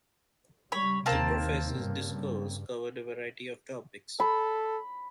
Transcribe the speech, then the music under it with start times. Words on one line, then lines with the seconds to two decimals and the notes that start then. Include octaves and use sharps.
The professor’s discourse covered a variety of topics.
0.72 G3 C#5 B5
1.06 D#2 C3 A#3 C4 A5
1.78 G2 C#3
4.20 A4 B5